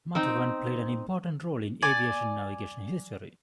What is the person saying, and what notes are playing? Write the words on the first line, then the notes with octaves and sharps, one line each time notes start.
Matawan played an important role in aviation navigation history.
C4 D#4 G5
D5 G#5